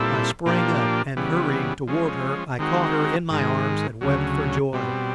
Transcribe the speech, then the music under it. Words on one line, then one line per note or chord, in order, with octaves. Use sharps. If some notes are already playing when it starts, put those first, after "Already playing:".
I sprang up, and, hurrying toward her, I caught her in my arms and wept for joy.
Already playing: A#2 G3 C4 E4 A4
A#2 F3 A#3 D4 G4
C#3 E3 G3 B3
F3 G#3 C#4
D#3 G#3 C4 D#4 F#4
G#2 D#3 G#3
D2 C#3 F#3
B2 G3 C4